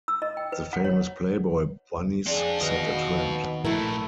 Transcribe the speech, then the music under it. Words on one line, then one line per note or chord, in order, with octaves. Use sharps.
The famous Playboy Bunnies set a trend.
E6
D#5
G5
B4
F#5
C#5
C4 D4 F4 G#4
D#2 B2 D#3 D#5 F5
A#2 F3 A3 E4 A#4